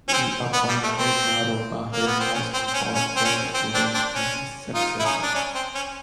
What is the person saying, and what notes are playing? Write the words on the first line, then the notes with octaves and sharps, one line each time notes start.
He appointed Naropa, his most important student, as his successor.
C#4
C4
B3
G3
A3
C4
A#3
B3
C4
C#4
C4
C4
C#4
C#4
C4
C#4
C4
C4 D4
C4 D4
C#4
D#4 F4
E4
C#4 D#4
D4
C#4
C4
C#4